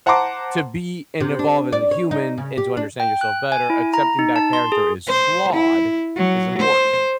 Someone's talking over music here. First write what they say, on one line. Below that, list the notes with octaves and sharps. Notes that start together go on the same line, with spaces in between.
to be and evolve as a human and to understand yourself better, accepting that character is flawed is important.
C5 F#5 A5 A#5 C6 D6
C3
D4
D5
C#5
D#4
C#3
G4
D4
G5
F#6
G#5
E4
A#5
D#4
A5
C6
G#4
C5
E4
F#3
C5